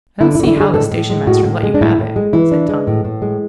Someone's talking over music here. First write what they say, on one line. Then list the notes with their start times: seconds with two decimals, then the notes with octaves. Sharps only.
"I don't see how the station-master let you have it," said Tommy.
0.21 D3 E4
0.35 E4
0.40 D3 F#4
0.47 E4
0.57 G#3 G#4
0.74 A2 A4
0.91 A2
1.10 G#3
1.27 A2 F#4
1.45 A2
1.63 G#3
1.74 D4
1.81 A2 E4
1.99 A2
2.16 G#3
2.33 E3 E4
2.51 D4
2.69 G#3
2.87 A2
3.05 A2
3.22 G#3